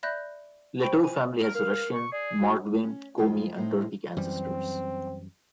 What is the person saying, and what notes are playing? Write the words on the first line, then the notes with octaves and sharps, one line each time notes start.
Letov family has Russian, Mordvin, Komi and Turkic ancestors.
D5 E5 B5 F#6 G6 A#6
C5 G5 B5 C#6
G#5
A#4
A#4 F5
C#6
G#4 D5
F#4
C#4
F2 G#3 F4 G5
A2 C4 D#4
F#2 E3 G3 C4